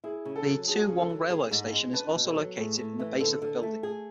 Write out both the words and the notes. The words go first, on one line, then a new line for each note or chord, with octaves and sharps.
The Toowong Railway Station is also located in the base of the building.
E4 G#4
C#3
A4
F#3
D4 G#4
F#4
G#4
C#3
A4
F#3
G#4
G#2
G#3
D4 B4
B2
A4
F#3
A2 G#4
A2
E3
D3 A4
D3
A3
G#4